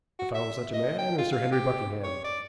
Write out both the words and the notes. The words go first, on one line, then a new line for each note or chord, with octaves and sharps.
I found such a man in Sir Henry Buckingham.
F#4
E5
D#5
G5
F4
F5
G4
C#5
D5